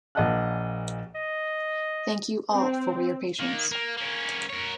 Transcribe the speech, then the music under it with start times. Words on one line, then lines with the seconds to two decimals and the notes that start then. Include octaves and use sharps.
Thank you all for your patience.
0.15 A#1 A#2 D#5 F#5 A5 F#6
1.15 D#5
2.52 C4
3.39 D#3 A#3
3.72 A#3
3.97 A#3 C#4
4.49 A#4 C#5